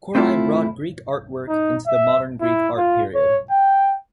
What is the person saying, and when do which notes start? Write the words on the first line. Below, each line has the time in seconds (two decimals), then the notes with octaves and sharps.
Korai brought Greek artwork into the Modern Greek art period.
0.15 A3 C4 E4 F4 A4
1.48 D#4
1.87 E5
2.41 E4
2.77 F4
3.15 C#5
3.51 G5